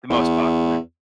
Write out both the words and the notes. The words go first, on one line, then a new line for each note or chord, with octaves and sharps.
the most popular.
E2